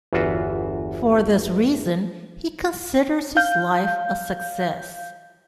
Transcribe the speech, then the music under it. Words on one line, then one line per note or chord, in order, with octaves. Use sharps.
For this reason he considers his life a success.
G1 E2 E3 F4 F#4 E5
F5 G6